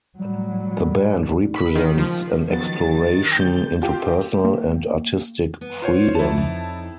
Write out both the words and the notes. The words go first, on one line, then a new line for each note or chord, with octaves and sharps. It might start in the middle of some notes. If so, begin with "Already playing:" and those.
The band represents an exploration into personal and artistic freedom.
A2 F#3 G3
B5
D#3
F3
D#3 F3 F#3 B3 A6
D2 G5 G6
C4 F4 G4
A#3
B3
F4 C5 C#5
F2 D#4 E4 A5